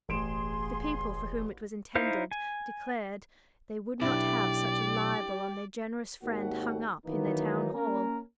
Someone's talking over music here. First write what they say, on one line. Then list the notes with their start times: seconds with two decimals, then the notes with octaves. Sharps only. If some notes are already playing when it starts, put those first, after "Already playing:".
The people for whom it was intended declared they would not have such a libel on their generous friend hung up in their town-hall.
0.09 E1 A1 G#4 C6 D7 E7
1.95 D#4 E4 C5 F5
2.31 G#5
4.01 B1 D4 E4 G4 D5
6.23 G#1 D#2 A#3 F#4 F#5
7.06 D#3 E3 F#3 A#3 B3 D#4
7.74 A#3 C#4 A#4